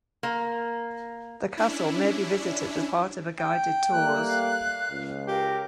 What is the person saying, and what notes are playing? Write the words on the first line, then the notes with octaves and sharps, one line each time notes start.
The castle may be visited as part of a guided tours.
A#3
C#4 D4 E4
G5
G3 A3 A#3 F#6
F5
C#2
G4 A#4